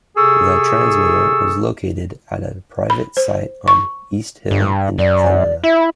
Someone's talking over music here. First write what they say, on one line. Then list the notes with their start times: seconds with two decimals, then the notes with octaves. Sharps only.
The transmitter was located at a private site on East Hill in Elmira.
0.17 C3 G#4 A4 C#6 E6
2.90 B5
3.17 C5
3.68 C#6
4.51 G2
4.99 F#2 D5
5.64 E4 E5